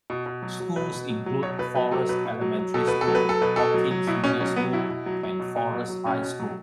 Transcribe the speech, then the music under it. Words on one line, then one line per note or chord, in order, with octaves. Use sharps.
Schools include Forest Elementary School, Hawkins Middle School and Forest High School.
B2
B2
F#3
F#3
B2 B4
B2
F#3
F#3
B2 C#5
B2 B4
F#3 B4
F#3 A4
B2 B4
B2
F#3
F#3
B2 A4
B2 B4
A4
F#3
B4
F#3 A4
B2 B4
B2 A4
F#3
F#3
B2 E4
B2 C#4
F#3 C#4
F#3 B3
B2 E4
B2
F#3
F#3
B2
B2
F#3
F#3
B2 C#4
B2
F#3